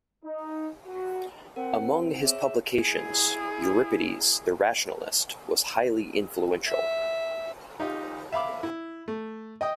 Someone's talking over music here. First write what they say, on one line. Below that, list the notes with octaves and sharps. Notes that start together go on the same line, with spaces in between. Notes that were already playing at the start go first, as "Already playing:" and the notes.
Among his publications, "Euripides the Rationalist" was highly influential.
D#4
F#4
C4 A#4 F#5
G#4 C#5 E5
E4 G#4
E5
D#4 F4 G4 D#5
E5 F5 B5 D6
E4
A3
D#5 G5 D#6